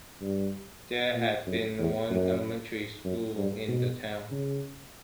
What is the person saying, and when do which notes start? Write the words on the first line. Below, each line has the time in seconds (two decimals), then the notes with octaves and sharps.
There had been one elementary school in the town.
0.21 G2
1.16 A#2
1.47 F#2
1.79 E2
2.10 F#2
3.04 F#2
3.37 G2
3.68 B2
4.31 C#3